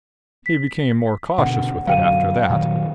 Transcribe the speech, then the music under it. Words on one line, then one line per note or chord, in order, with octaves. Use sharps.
He became more cautious with it after that.
B6
B2 D3 F#5
F#2 D3 F#3 F5 G5 D#7
A#2 D#3 F#3